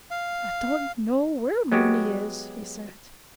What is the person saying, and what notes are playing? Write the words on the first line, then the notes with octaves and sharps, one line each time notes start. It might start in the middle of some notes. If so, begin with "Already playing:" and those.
"I don't know where Mooney is," he said.
F5
F#3 G#3 B3 F#4 G4